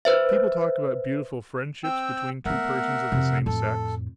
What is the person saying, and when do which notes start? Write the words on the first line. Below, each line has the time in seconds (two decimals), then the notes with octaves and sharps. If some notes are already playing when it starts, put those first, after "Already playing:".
People talk about beautiful friendships between two persons of the same sex.
0.05 B4 C5 E5
1.84 C4 G5 E6
2.45 A3 B3 A#4 E5 F#5
3.12 F2 C3
3.46 F2 A2 A4